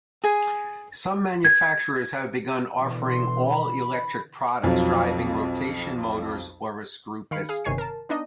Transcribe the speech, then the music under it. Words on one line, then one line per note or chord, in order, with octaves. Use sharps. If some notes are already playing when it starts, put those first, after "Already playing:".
Some manufacturers have begun offering all-electric products driving rotation motors or a screw piston.
G#4 G#5
G#6
B2 D3 E3
C6
B5
B1 F2 F3 F#3
D#3 F5 B5 C#7
G#4 F5
G1 C3 D#3 C#5 G#5 C7
A#4 A5
B3 D4 D#4 D#5